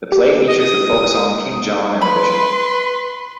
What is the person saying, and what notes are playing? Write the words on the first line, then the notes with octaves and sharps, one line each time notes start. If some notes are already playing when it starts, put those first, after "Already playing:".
The play features the folk song King John and the Bishop.
G4
D#5
D#6
B4 B5 C6